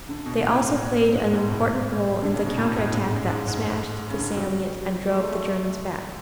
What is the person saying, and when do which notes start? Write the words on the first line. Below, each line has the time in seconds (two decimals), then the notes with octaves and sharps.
They also played an important role in the counter attack that "smashed" the salient and drove the Germans back.
0.09 D3
0.26 B2
0.44 A2
1.15 G#2
1.33 G#2
1.47 B2
1.51 A2
2.22 D3
2.34 C#3
2.46 B2
2.57 A2
2.76 A2
2.93 G#2
3.12 F#2
3.30 G#2
3.47 G#2
4.10 C#3
4.19 D3
4.37 F#3
5.08 G#3
5.20 A3
5.31 A3